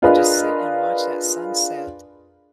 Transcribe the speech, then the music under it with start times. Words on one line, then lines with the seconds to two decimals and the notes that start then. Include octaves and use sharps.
and just sit and watch that sunset
0.02 D4 F4 G#4 A#4 B4 D#5